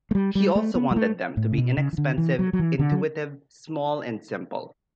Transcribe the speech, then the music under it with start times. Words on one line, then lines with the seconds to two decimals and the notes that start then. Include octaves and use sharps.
He also wanted them to be inexpensive, intuitive, small, and simple.
0.11 A3
0.15 G3
0.35 G3
0.55 A3
0.75 B3
0.91 G3
0.96 A3
1.37 A2
1.52 C#3
1.58 B2
1.77 C#3
1.93 E3
1.98 D3
2.18 E3
2.39 F#3
2.53 F#3
2.59 E3
2.79 D3
2.92 F#3